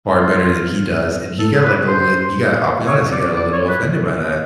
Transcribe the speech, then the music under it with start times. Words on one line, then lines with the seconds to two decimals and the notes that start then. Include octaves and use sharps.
far better than he does," and he got like a li he got I'll be honest, he got a little offended by that.
0.15 F4
1.39 A4
1.64 B4
1.88 C5
2.87 C#5
3.12 D5
3.36 D5
3.53 C#5
3.69 B4